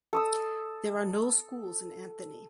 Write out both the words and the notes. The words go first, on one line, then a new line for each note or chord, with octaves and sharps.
There are no schools in Anthony.
A4 D#6 E6